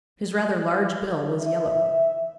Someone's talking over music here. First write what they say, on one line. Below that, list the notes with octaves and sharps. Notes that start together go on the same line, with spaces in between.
His rather large bill was yellow.
E5